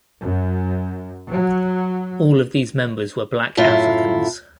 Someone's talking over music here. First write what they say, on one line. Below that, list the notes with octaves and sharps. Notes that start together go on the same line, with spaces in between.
All of these members were black Africans.
F#2
F#3
F#2 A2 E4 F4